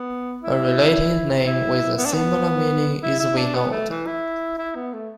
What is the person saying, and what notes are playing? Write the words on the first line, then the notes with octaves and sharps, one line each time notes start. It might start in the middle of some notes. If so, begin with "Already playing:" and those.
A related name with a similar meaning is Vinod.
Already playing: B3
E4
E4
B3
D4
B3
E4
E4
D4
B3
A3
E3
E4
E4
B3
A3